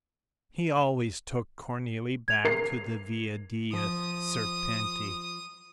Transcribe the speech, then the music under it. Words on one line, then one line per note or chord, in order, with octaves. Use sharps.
He always took Cornelie back to the Via dei Serpenti.
G#6 F7
A#4 C7
F3 D#6